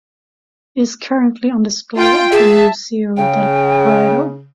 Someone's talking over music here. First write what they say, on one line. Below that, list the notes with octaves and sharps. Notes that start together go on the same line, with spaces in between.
It is currently on display at the Museo del Prado.
F4 G5
G#4 E5 A5
C#3 G5